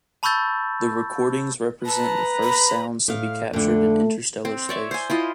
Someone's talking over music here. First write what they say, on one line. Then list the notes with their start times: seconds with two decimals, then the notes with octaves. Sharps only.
The recordings represent the first sounds to be captured in interstellar space.
0.23 A5 B5 C#6 E6 G6 A6
1.86 B4 A5 A#5
2.43 B5
3.08 A2 F5
3.53 F2 D3 A3
4.45 C4
4.69 C#5 D5 E5
4.91 C5 G#5
5.10 E4 F4 D#5